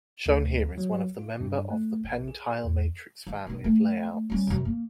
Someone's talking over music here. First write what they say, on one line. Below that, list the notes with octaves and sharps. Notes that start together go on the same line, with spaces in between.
Shown here is one of the member of the PenTile matrix family of layouts.
D2
F#3
F4
G2
A3
A#1
G#4
E2
F3
B1 B2
A3
G3 C#4
F#2 C3
A#3